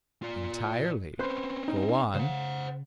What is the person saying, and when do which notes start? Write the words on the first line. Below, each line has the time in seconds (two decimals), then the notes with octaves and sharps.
"Entirely; go on."
0.23 F4 D5
1.19 C4 C#4 B4 C5
1.68 D#4
2.15 C#3 C5 F#5